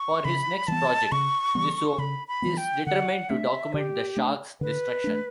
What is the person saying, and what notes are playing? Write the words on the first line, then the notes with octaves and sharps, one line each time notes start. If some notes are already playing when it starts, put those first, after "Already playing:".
For his next project, Zissou is determined to document the shark's destruction.
Already playing: C#6
C#3 B5
E3 G3 B3 A5
C#3 C#6
E3 G3 B3
C#3 B5
B5
E3 G3 B3
G5
D3 F#5
A3 D4 E5
D3 G4
A3 D4
D3 B4
A3 D4